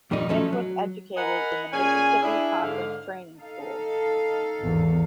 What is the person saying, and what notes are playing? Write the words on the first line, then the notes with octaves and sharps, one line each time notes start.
Finch was educated in the Mississippi Conference Training School.
F2 A#2 D#3 G3 D#4
F3 F#3 A3 C#4 D#4
F#3
A#4 D#5 F#5 G#5 A#5 B5
A#2 C#4 G#4 G#5
D4 E4 G#4
G#2 D3 F5
D#4 A4 F5
G#1 E2